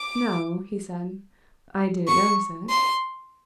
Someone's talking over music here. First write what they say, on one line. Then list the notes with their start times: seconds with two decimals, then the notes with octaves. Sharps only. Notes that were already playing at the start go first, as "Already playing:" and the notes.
"No," he said; "I didn't notice it."
Already playing: D6
2.08 C#6
2.69 C6